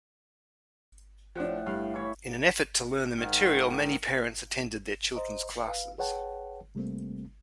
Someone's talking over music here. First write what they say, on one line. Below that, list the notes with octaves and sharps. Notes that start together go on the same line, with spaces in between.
In an effort to learn the material, many parents attended their children's classes.
A2 F3 D4 F#5 G5
G2 F5
E3 E4 C#5
G#2 D#3
C5 D#5 A#5
B4 F5
G#4 B4 C#5 F#5 G5 A5
C3 G3 A3 A#3 C4